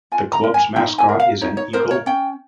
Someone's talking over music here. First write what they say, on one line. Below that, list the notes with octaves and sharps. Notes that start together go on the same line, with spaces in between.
The club's mascot is an eagle.
F4 G#5
A#5
A#4
G#5
D#4 G5
G#5
A#4
F5
D#4 C#5
C#5
A#4 C5
C#5
C#4 G5